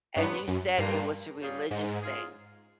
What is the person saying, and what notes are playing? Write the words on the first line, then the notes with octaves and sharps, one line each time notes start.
and you said it was a religious thing
G2 C3 D#3 F#3 B3
F#2
G2 A#2 F3 A#3
G3 A#3 C#4 F4 G#4
G#2
G#3 C#4 F4 G#4